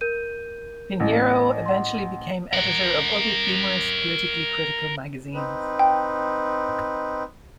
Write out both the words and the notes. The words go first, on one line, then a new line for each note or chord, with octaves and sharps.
Pinheiro eventually became editor of other humorous, politically critical magazines.
A#4 G6 D#7
A1
F#5 C6
A#4 F#5
C4 D#4 B4
G5